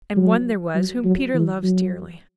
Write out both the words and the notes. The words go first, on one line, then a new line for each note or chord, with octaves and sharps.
And one there was whom Peter loves dearly.
F#3
F#3
F#3
E3
F#3